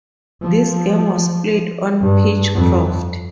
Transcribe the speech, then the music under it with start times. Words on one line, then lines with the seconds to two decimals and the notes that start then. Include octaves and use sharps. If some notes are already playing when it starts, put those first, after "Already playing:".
This game was played on Pitchcroft.
0.42 F3
2.01 G2
2.55 F2